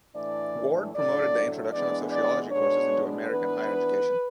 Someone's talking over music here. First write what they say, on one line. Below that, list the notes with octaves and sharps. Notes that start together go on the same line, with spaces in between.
Ward promoted the introduction of sociology courses into American higher education.
A2 E3 A3 D4 D5
A2 F#3 A3 D4 D5
E3 G#3 B3 D4 D5
D5
B2 G#3 B3 D4 C#5
E3 B3 D4 B4